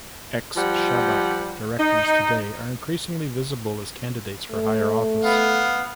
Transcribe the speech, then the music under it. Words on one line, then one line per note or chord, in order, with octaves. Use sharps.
Ex-Shabak directors today are increasingly visible as candidates for higher office.
F3 G3 F#5
D#4
A3
B3 F5